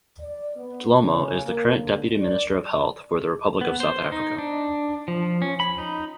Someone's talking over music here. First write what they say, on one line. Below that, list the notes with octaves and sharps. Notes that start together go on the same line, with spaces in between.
Dhlomo is the current Deputy Minister of Health for the Republic of South Africa.
D5
B3
C#3
A#3
D3
D5
B3
C5
D#4
D4
F3
C#4
B5
D#4